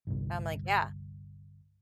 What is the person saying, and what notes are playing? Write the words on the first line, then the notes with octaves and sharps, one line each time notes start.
I'm like, "Yeah."
G1 C2